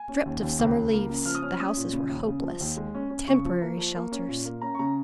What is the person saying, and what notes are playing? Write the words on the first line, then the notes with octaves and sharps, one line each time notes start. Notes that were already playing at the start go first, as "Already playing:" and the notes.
Stripped of summer leaves the houses were hopeless--temporary shelters.
Already playing: G#5
C#4
D#2
D#2
C#2
C#2
A#3
C#3
F3 F6
D#6
C#4 F6
C#4 D#6
A#2
C#3
D#2
C#3
F3
D#2
G#3
C#4
C#4
C#3 C#6
F3
A#3
F3
A#3
C#4
A#2
A#3
C#4 A#5
C#6
C#3 A#5